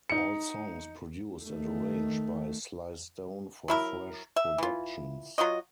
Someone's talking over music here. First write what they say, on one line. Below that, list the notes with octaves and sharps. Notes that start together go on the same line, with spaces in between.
All songs produced and arranged by Sly Stone for Fresh Productions.
D#4 C#7
D#3 A3
F#3 E4 A#4
E5
E3 F4
F#3 F4 F#4 D#5